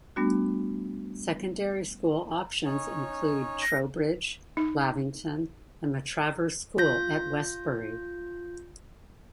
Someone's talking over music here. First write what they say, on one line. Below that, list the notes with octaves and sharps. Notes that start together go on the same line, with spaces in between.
Secondary school options include Trowbridge, Lavington, and Matravers School at Westbury.
G3 A3 B3 D4 F#4
C#4 D#4 C#5
A#6
D#4
F4 G6 A#6